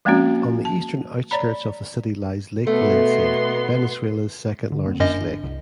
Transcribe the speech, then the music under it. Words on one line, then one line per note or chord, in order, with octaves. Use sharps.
On the eastern outskirts of the city lies Lake Valencia, Venezuela's second-largest lake.
F3 G#3 A#3 C4 C#4 F#4
A5
C#5 D5 A#5 B5
B2 A3 B3 C6
D3
D#1 A#3 C4
G1 F#2 D4 D#5
C2